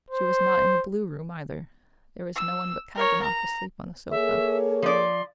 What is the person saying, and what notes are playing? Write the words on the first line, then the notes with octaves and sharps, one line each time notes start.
She was not in the blue room either; there was no one but Kalganov asleep on the sofa.
C5
E6
A#4 C#5
A#5
A#3 G#4 A4 C#5 E5
F3 D5 C6